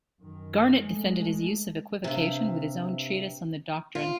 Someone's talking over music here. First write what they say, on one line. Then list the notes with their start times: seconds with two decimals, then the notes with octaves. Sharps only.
Garnet defended his use of equivocation with his own treatise on the doctrine.
0.20 F#2 D#3
0.76 G#3 A3
2.04 G2 C3
3.95 F4